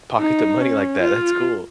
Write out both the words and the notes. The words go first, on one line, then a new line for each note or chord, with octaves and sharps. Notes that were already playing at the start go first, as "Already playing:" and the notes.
Pocket the money like that, that's cool.
D#4
C#4
F4